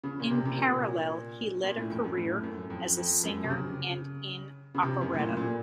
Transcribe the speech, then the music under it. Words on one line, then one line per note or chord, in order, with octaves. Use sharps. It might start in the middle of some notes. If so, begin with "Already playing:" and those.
In parallel he led a career as a singer and in operetta.
C#3
A#2
C3
C3
A#2
A#2
A2
F2
F#2
A2
F#2
F2
F2
F#2
C3
C#3
C#3
C3
F#2
A2
A#2
A#2